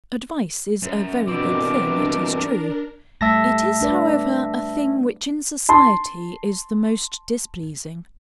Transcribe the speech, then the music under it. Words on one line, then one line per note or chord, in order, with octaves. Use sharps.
Advice is a very good thing, it is true; it is however a thing which in society is the most displeasing.
F#2
B2 E3 G3 A3 C4 D4 A#4 D6
G3 A3 E5 A5 A#6
D4 B4 D5
A5 C6